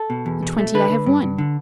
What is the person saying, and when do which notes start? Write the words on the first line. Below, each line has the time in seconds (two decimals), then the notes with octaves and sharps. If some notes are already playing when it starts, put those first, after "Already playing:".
"The twenty I have won."
Already playing: A4
0.10 B2
0.26 E2
0.43 B2
0.58 A3
0.74 D3 B4
0.90 D3
1.06 G2
1.22 G2
1.38 D3